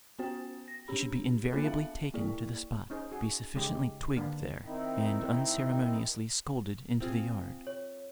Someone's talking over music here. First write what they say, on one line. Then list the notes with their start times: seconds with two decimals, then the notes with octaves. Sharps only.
He should be invariably taken to the spot, be sufficiently twigged there, and unceremoniously scolded into the yard.
0.19 B3 C#4 F#4 C5 G5
0.68 A#6
0.88 C#4 D4 G4 B5
1.52 A#3 B3 D4 F4 A4 C5
1.64 E5 F5 A5
2.14 A#3 E4 G#4 D5
2.90 C#4 D#4 G#4 C5
3.12 F#4 G#4
3.55 C#3 G#3 D#4 G4
4.16 D3 A#3 D4 B4
4.64 D#3 C4 D#4 E4
7.00 C4 F4 G#4
7.67 C#5